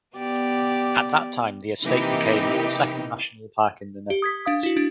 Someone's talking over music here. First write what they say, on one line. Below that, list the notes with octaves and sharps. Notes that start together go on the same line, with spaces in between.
At that time the estate became the second national park in the Netherlands.
B3 G4 D5
C3 E3 A#3 D#4 E4 G4
G4
D#6 G#6 B6
D4 F5 D#6
E4 F#4
D4